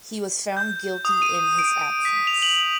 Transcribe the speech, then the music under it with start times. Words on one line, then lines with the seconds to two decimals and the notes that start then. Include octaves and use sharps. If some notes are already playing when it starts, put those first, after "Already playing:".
He was found guilty in his absence.
0.57 G6
1.05 D#6
1.22 D#7
1.59 D7
1.80 D7
2.05 B6
2.27 F7
2.42 F#7